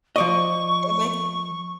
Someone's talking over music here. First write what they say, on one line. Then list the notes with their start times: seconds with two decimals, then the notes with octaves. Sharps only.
That makes
0.16 F3 D5 D#5 C#6